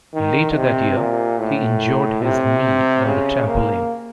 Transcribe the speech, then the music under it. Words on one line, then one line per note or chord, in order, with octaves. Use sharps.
Later that year, he injured his knee on the trampoline.
D#3
C3
A#2
A2
C3
C#3
A#3